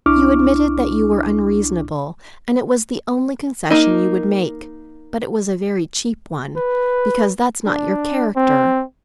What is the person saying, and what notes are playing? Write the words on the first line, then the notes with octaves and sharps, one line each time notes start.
You admitted that you were unreasonable, and it was the only concession you would make; but it was a very cheap one, because that's not your character.
C2 D4 E4 C#6 D6 F6
A#3 D#4
B4
D4
C4